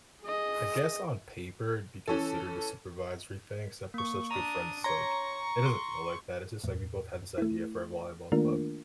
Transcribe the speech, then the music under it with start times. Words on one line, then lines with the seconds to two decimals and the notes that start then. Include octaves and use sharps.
I guess on paper, it'd be considered a supervisory thing, except we're such good friends, it's, like it doesn't feel like that, it's just, like, we both had this idea for a volleyball club.
0.23 G#4 D#5
2.08 E3 C#4 A4
3.94 A#3 C#6
4.31 D4 A#5 D#6
4.84 C#5 A#5 C6 C#6
5.66 C6
6.64 E2 A2
7.38 A3 E4
8.32 D#3 A3 A#3 D4 F4 A#4